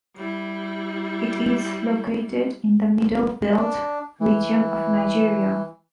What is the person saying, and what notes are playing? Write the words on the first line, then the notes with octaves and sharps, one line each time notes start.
It is located in the Middle Belt region of Nigeria.
G3 E4
D4
E3